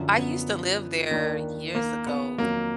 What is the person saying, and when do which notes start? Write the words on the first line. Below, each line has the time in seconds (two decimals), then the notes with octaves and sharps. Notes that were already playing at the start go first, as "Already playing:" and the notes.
I used to live there years ago.
Already playing: F#2 D3 F3
0.16 B3
1.11 D#2 D#3 A#3 D4
1.75 A#3
2.07 B3
2.38 F2 D#3 F#3 A#3